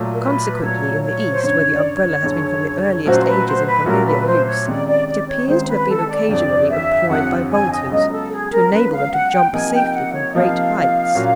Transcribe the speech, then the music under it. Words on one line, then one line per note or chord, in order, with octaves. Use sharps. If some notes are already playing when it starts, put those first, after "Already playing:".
Consequently, in the East, where the Umbrella has been from the earliest ages in familiar use, it appears to have been occasionally employed by vaulters, to enable them to jump safely from great heights.
Already playing: A#2 F#3 A3
A#4
B4
A#2 F#3 A3 C#5
C#5
C5
F#1 F#2 D3 C#5
D5
C#5
F#1 F#2 D3
A#2 F#3 A3 C#4 F#4 C5
B4
C5
B4
A#2 F#3 A3 C#4 F#4 A#4
B4
C5
C#5
C#2 C3 D#3 G#3 C#4 D5
D5
D5
C#5
C#2 C3 D#3 G#3 C#4 C5
B4
A4
D5
G1 F2 C3 D5
E5
G1 F2 C3 F#5
G#5
D#5
C#2 C#3 F#3 B3 D#5
A4
G#4
A#4
C#2 C#3 F#3 B3 B4
F5
F#5
G5
C3 F3 A#3 D#4 G#5
G5
F#5
C#5
C3 F3 A#3 D#4 F5
A#2 F#3 A#3 C#4 F#4